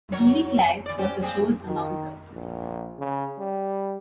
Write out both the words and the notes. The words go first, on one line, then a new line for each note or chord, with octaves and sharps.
Julie Claire was the show's announcer.
F#3 A#4 C#5
E3 D5
C#4 G4 C5
A#3 C4 G#4
D#3
A#1
C#3
G3